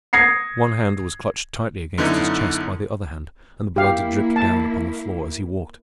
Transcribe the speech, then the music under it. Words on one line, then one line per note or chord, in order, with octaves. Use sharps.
One hand was clutched tightly against his chest by the other hand, and blood dripped down upon the floor as he walked.
D#6 G#6 A#6 C7 C#7
F#2 D3 B3 D#4 E4
A#3 E4 G4 F5
A5